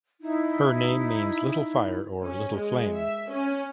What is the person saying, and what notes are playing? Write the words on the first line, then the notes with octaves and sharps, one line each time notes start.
Her name means "little fire" or "little flame".
D#4 E4
C#4
G#3
E5
C#4